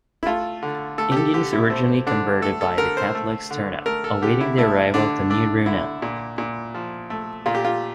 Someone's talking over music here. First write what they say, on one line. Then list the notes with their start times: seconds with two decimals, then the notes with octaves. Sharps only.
Indians originally converted by the Catholics turn up, awaiting the arrival of the Niaruna.
0.23 E4
0.26 A3 F4
0.63 D3
0.98 A3 A4
1.12 G4
1.17 A4
1.34 D3 G4
1.53 E4
1.70 A3 C4
2.06 D3 D4
2.42 A3 A4
2.61 A4
2.78 D3 A#4
2.97 C5
3.15 A3
3.51 D3
3.86 A3 A#4
4.04 A4
4.22 D3 G4
4.41 E4
4.58 A3 E4
4.94 D3 D4
5.30 A3 D4
5.66 D3 E4
6.02 A#2
6.38 A#2
6.74 F3
7.10 A3
7.46 A#2 F4
7.55 G4
7.65 F4